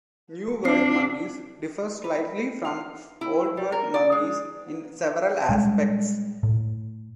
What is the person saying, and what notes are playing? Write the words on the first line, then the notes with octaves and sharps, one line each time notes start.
New World monkeys differ slightly from Old World monkeys in several aspects.
C4 D4 C7
B4
F5
E4
G3
A#4
D5
G#3
A#2 G3 G#3
A2